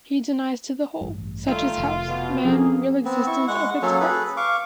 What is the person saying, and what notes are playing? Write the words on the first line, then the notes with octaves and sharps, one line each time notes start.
He denies to the whole, such as house, man, real existence of its parts.
A1 G2
D#3 A3 F4
F1
B2
F2 B2 A#3 C#4 G#4
B3 C4
E4 C#6
G#3 F#5 C#6
F#3 A#3 C#4 A4
G#4 A4 B4
F5 C#6 D6